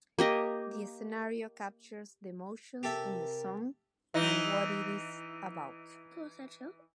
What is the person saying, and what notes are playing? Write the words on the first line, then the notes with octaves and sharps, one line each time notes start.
The scenario captures the emotions in the song and what it is about.
A#3 G4 D#5
C3 G4 A4 A#4 E5
E3 D#4